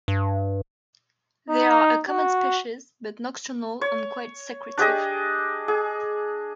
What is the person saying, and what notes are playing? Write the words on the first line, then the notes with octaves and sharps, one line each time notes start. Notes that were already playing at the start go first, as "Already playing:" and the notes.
They are a common species, but nocturnal and quite secretive.
G2
D#4
F#4
C#5
D4 G4 G#4 D#5
G#4